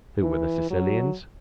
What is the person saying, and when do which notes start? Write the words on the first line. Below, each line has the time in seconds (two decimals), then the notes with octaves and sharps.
Who were the Sicilians?
0.23 E3
0.71 F#3